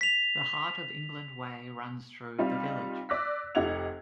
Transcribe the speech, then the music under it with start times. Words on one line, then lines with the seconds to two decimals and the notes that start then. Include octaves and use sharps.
The Heart of England Way runs through the village.
0.01 B6 F7
2.38 G3 C4 D#4 F4
3.09 D5 D6 E6 F#6 A#6 B6
3.55 F1 D#4 G4 F#5 G#6 F7